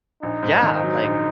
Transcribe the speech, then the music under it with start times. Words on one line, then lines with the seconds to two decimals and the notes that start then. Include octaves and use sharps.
Yeah, like
0.22 A#1 D#4
0.43 G#2
0.63 D#3
0.84 F#3
1.04 A#1